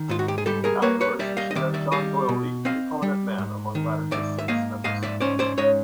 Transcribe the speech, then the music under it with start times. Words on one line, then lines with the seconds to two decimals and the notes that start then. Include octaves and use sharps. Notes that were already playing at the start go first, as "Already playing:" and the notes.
Afterwards, she met John Doyle Lee, a prominent man among Latter-day Saints members.
Already playing: D#3
0.09 G#2 F4
0.19 F#4
0.28 G4
0.38 G#4
0.46 G3 G4 A4
0.64 G#4 A#4
0.82 A#3 B4 C#5
1.01 B4 C#5
1.19 G3 D5 E5
1.37 D#5 F5
1.51 D#5
1.55 D#3 D5 E5
1.74 D5 E5
1.92 G3 D#5 F5
2.29 B2
2.65 C4 D#5 F5
3.02 G3
3.38 G#2
3.75 D#3
4.11 G#2 D5 E5
4.39 E5
4.48 A#3 D#5 F5
4.84 G#2 D#5 F5
5.03 D5 E5
5.21 C#4 C5 D5
5.39 C5 D5
5.58 G#2 C#5 D#5